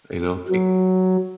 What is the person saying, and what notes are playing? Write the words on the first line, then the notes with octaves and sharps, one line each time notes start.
You know, i
F#3